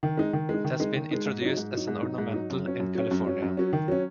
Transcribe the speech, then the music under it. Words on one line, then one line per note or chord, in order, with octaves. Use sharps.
It has been introduced as an ornamental in California.
D#3
G#3 D#4
D#3
G#3 D#4
D#3
G#3 D#4
D#3
G#3 D#4
G#2
F#3 D#4
G#2
F#3 D#4
G#2
F#3 D#4
G#2
F#3 D#4
F#2
F#3 C#4
F#2
F#3 C#4
F#2
F#3 C#4
F#2
F#3 C#4
D#3
F#3 C#4